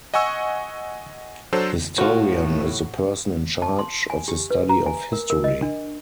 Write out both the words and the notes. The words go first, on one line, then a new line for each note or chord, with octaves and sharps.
Historian is the person in charge of the study of history.
D#5 F#5 G#5 C#6 E6
F#3 D4 A4 C5
A2 F4 F#4 C#5
A5
C6
G#5
G4
B4
A#5
G#5
A#4
A#4
D#5
D4